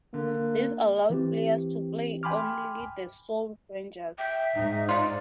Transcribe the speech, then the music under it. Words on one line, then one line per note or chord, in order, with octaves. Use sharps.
This allowed players to play only as The Soul Rangers.
D3 A#3
E3 C4 G4
G5 G#5 B5 C6 D6 F6
E5 G5
G#2 D#4
D#4 F4 D5